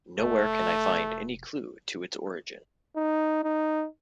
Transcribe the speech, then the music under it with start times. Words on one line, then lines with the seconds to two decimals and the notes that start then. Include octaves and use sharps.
Nowhere can I find any clue to its origin.
0.19 F1 A3
2.96 D#4
3.43 D#4